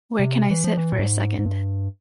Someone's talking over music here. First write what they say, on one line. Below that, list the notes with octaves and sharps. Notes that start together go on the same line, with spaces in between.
Where can I sit for a second?
C3
E3
F3
E3
A#2
G#2
G#2
G2